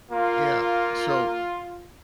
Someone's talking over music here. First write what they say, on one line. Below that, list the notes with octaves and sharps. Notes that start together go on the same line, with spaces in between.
Yeah, so
A#3 F4